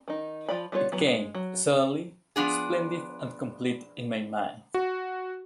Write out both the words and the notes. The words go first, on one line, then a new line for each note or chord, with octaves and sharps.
It came suddenly, splendid and complete in my mind.
D#3 D#4
F3 F4 D5 B5
G3 B3 F4 C5 C#5
E3 F#3 B3
G#3
F#3
F3 B3 D4 G#4
F#4